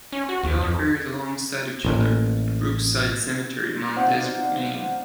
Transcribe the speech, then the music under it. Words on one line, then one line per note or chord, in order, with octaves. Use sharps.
They are buried alongside each other at Brookside Cemetery, Mount Desert, Maine.
C#4
F#4
D#2
F2
A1 A2 A#3
C4 D#4 C5 D5 F5 F#5